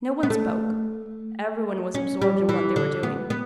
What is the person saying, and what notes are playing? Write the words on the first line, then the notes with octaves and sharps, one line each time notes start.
No one spoke. Every one was absorbed in what they were doing.
B3
A3
C#4
G3
E3
D3
B3
B3